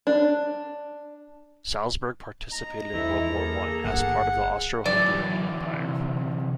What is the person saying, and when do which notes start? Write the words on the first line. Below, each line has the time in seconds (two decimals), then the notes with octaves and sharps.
Salzburg participated in World War One, as part of the Austro-Hungarian Empire.
0.07 D4
2.52 D#5 A#5
2.94 E2 F3 A3 E4
3.34 A#3 G#4 A4
3.84 G1 F#5
4.86 D3 E3 F#3 D5
5.73 C3